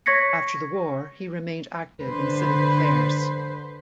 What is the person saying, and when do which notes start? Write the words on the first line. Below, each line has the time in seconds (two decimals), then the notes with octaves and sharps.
After the war he remained active in civic affairs.
0.06 C#5 C#6 G#6 A#6 B6 C#7
2.01 D3 B4 C5